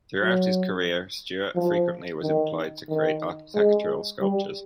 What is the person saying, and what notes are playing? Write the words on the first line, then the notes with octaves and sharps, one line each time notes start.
Throughout his career Stewart frequently was employed to create architectural sculptures.
F#3
F3
D#3
D#3
G#3
G3